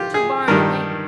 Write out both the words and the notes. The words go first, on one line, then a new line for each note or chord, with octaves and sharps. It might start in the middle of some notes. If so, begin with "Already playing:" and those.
Two bar and a wing.
Already playing: F4 G4
G#4
G2 D#3 G3 A#4